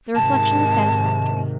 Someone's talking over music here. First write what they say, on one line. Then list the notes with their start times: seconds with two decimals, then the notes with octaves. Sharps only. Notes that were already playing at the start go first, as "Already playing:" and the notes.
The reflection was satisfactory.
0.15 G#2 C3 D#3 A5